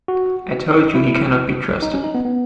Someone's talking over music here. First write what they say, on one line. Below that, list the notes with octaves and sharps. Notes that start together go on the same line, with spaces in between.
I told you he cannot be trusted.
F#4
E4
D#4
C#4
D#4
B3
B3